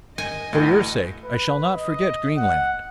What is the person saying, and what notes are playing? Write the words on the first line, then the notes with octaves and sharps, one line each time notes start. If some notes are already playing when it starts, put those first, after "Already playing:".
"For your sake I shall not forget Greenland."
D#5 G#5
D2 A2 D3 E3
B4
D#5
F#5